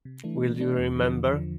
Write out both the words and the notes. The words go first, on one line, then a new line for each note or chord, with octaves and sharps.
Will You Remember?
C3
E3 A3 D4
C3
E3 A3 D4
E2
D3 F3
E2
D3 F3